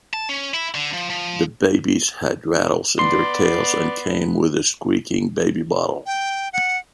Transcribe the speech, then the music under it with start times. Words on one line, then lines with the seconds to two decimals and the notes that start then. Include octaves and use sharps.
The babies had rattles in their tails and came with a squeaking baby bottle.
0.13 A5
0.29 C#4
0.54 E4
0.75 D3
0.94 F3
1.10 F3
2.99 B3 D5 C6
6.06 G5
6.53 F#5